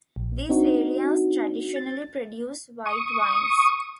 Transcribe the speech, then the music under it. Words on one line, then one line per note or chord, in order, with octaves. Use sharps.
These areas traditionally produce white wines.
A#1
C4 D4 D#4 F#4
A6
C#6 D#6